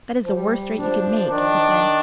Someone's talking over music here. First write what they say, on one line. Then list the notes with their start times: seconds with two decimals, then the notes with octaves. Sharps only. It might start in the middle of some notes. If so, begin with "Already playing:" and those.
"That is the worst threat you could make," he said.
0.23 F3
0.33 G3
0.80 F3 D4
1.27 D#3 D4